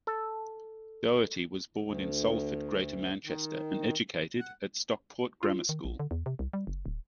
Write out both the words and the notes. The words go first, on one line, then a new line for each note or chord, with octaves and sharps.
Dougherty was born in Salford, Greater Manchester and educated at Stockport Grammar School.
A4
D2
D#3
F#5
F4
D#3
A#1
D3
E2
C3
C2
G3
F#1
D1